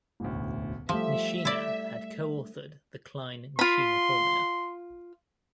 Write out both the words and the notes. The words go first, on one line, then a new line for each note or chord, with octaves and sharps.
Nishina had co-authored the Klein-Nishina formula.
E1 A1 D2
F3 G3 A3 G4 E5
E4 D5
F4 B5 C6